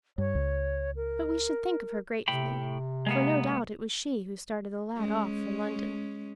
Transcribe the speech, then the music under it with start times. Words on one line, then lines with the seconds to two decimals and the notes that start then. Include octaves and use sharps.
But we should think of her gratefully, for no doubt it was she who started the lad off for London.
0.18 G2 C#5
0.35 C#2
0.96 A#4
2.28 A2 C3 G5 B5
3.06 G#3 A#3 B3
4.97 G#3 C#4